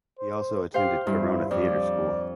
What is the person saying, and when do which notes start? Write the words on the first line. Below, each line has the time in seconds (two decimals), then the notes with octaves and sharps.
He also attended Corona Theatre School.
0.19 C5
0.74 G4 C5 F5
1.07 G2 E4
1.51 F2 D5